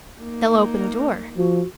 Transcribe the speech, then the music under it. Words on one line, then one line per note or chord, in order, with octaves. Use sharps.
"They'll open the door."
A#3 D#4
F3 F#4